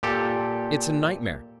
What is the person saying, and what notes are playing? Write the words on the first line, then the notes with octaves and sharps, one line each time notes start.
It's a nightmare!
A#2 G4 A4